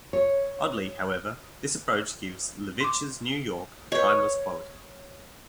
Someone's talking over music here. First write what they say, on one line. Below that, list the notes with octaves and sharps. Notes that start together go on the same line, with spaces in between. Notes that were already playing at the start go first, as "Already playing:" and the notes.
Oddly, however, this approach gives Levitch's New York a timeless quality.
C#5
C6 D6
B4 C#5 D#5